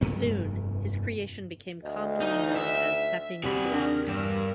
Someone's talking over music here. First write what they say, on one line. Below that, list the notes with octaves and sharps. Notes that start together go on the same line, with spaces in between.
Soon, his creation became commonly known as Seppings Blocks.
F1 G2 B3
D2 D#5
D#4
E5
D#2 C3 G3 F#4 G#4 B5
D4 A#4
E2 G2 G3 A#4 E6